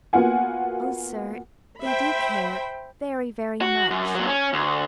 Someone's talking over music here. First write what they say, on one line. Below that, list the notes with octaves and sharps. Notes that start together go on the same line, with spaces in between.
"Oh sir, they do care, very very much!"
A#3 B3 F4 F#4 F#5 G#5
C5 E5 G5 B5
F#4
F#2
A#2 F#3
C#4
D2